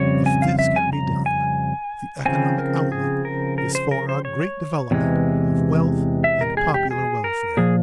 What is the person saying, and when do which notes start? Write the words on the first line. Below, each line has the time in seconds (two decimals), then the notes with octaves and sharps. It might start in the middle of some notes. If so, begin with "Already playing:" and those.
If this can be done, the economic outlook is for a great development of wealth and popular welfare.
Already playing: F2 C#3 G3 C4 C#5
0.26 G#5
0.42 F5
0.59 E5
0.76 G#5
0.93 A#5
1.26 G#5
2.26 C#3 F3 C4 G#5
2.58 A#4
2.92 G#4
3.25 A#4
3.58 A#4
3.75 C5
3.91 A#4
4.09 C5
4.25 C#5
4.91 E2 C3 E3 G#3
6.24 E5
6.41 A#4
6.57 G#4
6.74 G4
6.91 G#4
7.24 A#4
7.57 A#2 F3 G#4